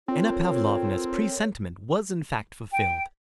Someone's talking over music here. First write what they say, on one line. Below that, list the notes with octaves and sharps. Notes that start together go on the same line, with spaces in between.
Anna Pavlovna's presentiment was in fact fulfilled.
C4 F4 A4 A#4 C#5
G5